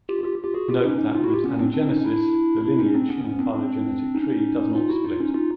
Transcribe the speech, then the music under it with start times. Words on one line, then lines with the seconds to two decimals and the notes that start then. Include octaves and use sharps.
Note that with anagenesis the lineage in a phylogenetic tree does not split.
0.09 F4 G4
0.24 F4 G4
0.44 F4 G4
0.54 F#4 G#4
0.69 F4 G4
0.84 C#4 D#4
0.99 C#4 D#4
1.14 D#4 F4
1.24 E4 F#4
1.34 F4 G4
1.44 B3 C#4
1.59 C4 D4
1.74 C4 D4
1.89 C#4 D#4
2.04 D4 E4
2.64 D4 E4
2.79 C#4 D#4
2.94 C4 D4
3.09 B3 C#4
3.24 B3 C#4
3.39 C4 D4
3.54 C4 D4
4.15 C#4 D#4
4.75 D#4 F4
4.89 E4 F#4
5.04 D#4 F4
5.20 C#4 D#4
5.34 D#4 F4